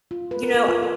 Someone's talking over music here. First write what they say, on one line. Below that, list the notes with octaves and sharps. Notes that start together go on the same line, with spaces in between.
you know, I
F4
B4
A#4
B4
F4
A4